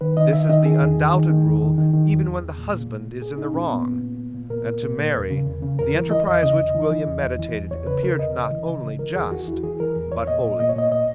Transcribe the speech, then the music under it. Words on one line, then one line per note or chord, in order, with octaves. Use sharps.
This is the undoubted rule even when the husband is in the wrong; and to Mary the enterprise which William meditated appeared not only just, but holy.
D#3 B4
D#3 D#5
D#3 E5
D#3 D#5
D#3 G#4
E2
D#3
D#3
D#3
E2
D#3
D#3
D#3
E2
E2
E2
A#2
A#2
A#2
A#2
A#2 G#4
A#2 D#4
A#2 C#4
A#2 B3
A#2
A#2
A#2
A#2
A#2 A#4
A#2
A#2
A#2
E2
C#3
E2
C#3
E2 A#4
E3
E3 D#5
E2 D#5
C#3 D#5
E2
E3
E3
E2
E2
E3
E2
E2 C#5
C#3 B4
C#3 A#4
E2 D#5
C#3
E3
C#3
C#3
E3 A#4
E2 G#4
E3 F#4
E2 E4
E3 G#4
E3 A#4
E2
E2 C#5
A#2 D#5
A#2
A#2 D#5
C#5
A#2 D#5
A#2 D#5